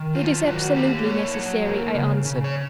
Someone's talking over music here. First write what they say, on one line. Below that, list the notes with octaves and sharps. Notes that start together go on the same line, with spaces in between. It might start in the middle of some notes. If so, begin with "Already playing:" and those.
"It is absolutely necessary," I answered.
Already playing: D#3
F#3 F4
D#3 F#4
A#3 G4
A#2 C#5
F#3
A#3
C#3
C#3
C#5